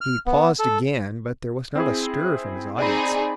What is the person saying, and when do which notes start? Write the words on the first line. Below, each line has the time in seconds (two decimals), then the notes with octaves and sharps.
He paused again, but there was not a stir from his audience.
0.01 F6
0.27 B3
0.59 A4
1.75 C4 E4 G#4
2.78 C4 D#4 G#4 D5 B5